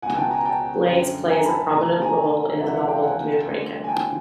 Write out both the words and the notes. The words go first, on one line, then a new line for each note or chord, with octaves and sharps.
Blades plays a prominent role in the novel "Moonraker".
C#2 B2 F#5 G#5
G5 A5
G#5 A#5
G5 A5
F#2 D3
G#5 A#5
A5 B5
D2 C3 D#3 A#5
A5
G#5 A#5
C#2 C3 E3 E5 F#5
E5 F#5
F5 G5
F#5 G#5
D2 D3
G#5
G5 A5